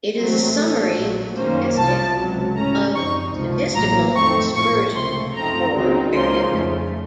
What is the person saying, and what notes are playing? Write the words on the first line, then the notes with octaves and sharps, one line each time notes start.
It is a summary statistic of statistical dispersion or variability.
A1 A2 F#3 A3 C4
A1 A2 A3 C#4 A4
A#1 A#2 F#3 A3
F#2 D#3 A#3 C#4 C5
C2 C3 F3 A5
C#2 C3 F#3
A2 A3 C#4 A#5
F#2 F3 C4 D#4 C#6
C#2 C3 F3
A1 A2 F#3 A#3 A#5
F2 D#3 A3 C4 C#6
A#1 A2 F3 A#3 C#6
C#2 C3 F3 A3 C6
F#2 F3 A3 C4 D#4 A#5
C#2 C#3 F#3 C4 D#4
C#2 C#3 F3 A#3 D#4 C6
F2 C#3 A3